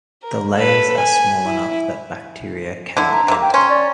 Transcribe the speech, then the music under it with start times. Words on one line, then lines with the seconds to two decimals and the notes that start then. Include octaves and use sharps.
The layers are small enough that bacteria cannot enter.
0.23 A#4
0.56 A4 B4
0.97 G#5
1.44 E4
2.97 D3 E4
3.12 A#5
3.28 C3 A#3
3.42 G5
3.54 C#4 C6
3.69 D5